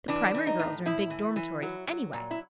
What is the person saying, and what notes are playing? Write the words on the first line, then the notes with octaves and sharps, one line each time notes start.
The primary girls are in big dormitories, anyway.
E3 D4
E3
D#4
A2
A2 E4
E3
E3
F#3
F#3
A#2
E4